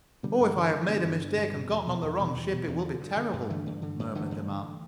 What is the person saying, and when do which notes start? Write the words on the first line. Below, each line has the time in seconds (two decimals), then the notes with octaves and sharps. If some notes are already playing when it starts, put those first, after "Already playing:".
"Oh, if I have made a mistake and gotten on the wrong ship it will be terrible," murmured the man.
0.23 D3 G3 B3
0.40 G2
0.56 D3
0.72 G2
0.88 D3 G3 B3
1.05 G2
1.21 D3
1.37 G2
1.54 B2
1.70 E2
1.86 B2
2.02 E2
2.19 B2
2.35 E2
2.52 B2
2.68 E2
2.84 D3
3.01 G2
3.17 D3
3.33 G2
3.49 D3 E3 A3
3.66 G2
3.82 D3
3.99 G2
4.15 D3 E3 A3
4.31 G2
4.47 D3